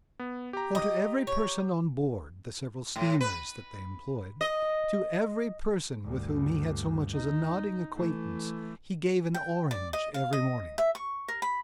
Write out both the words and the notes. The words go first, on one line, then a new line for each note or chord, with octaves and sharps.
For, to every person on board the several steamers that they employed--to every person with whom he had so much as a nodding acquaintance, he gave an orange every morning.
B3
G4 A#5
D#5
C#5
A2
B4
D#5
D2 G2
D#4
E3 A3
G5
D5
D#5
F5
D#5
E5
C#6
A#4
B5